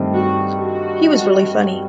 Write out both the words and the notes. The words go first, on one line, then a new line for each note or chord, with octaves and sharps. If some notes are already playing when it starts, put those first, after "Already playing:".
He was really funny.
Already playing: G2 D#3 A3 C4 D#4
F#4
F#4